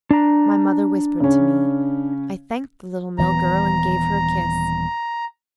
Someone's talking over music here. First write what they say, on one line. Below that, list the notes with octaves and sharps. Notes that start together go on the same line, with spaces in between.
My mother whispered to me--I thanked the little mill-girl, and gave her a kiss.
D4 A#5
C#3 C#4
D#1 E3 B3 A#5